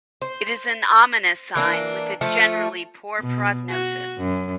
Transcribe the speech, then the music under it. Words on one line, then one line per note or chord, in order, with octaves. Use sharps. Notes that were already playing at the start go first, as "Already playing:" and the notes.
It is an ominous sign, with a generally poor prognosis.
C5
E3 A#3 D4
F3 A3
B2
F#4
F#2